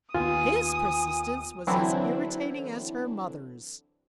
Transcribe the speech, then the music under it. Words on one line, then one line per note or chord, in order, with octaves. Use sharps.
His persistence was as irritating as her mother's.
D#2 B3 F4 G#5 D#6
D3 E3 F#3 C4 D4 E4